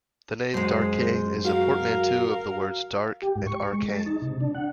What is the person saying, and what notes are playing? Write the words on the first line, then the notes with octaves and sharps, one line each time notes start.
The name Darkane is a portmanteau of the words "dark" and "arcane".
F#2 G#3 C5
F#4 A#4 F5
G4
G#2
C#6
G#3
A5
D#4
C3
D4
F#5